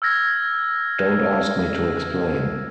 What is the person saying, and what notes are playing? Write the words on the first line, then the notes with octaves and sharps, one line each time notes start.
Don't ask me to explain.
E6 F6 G#6 A#6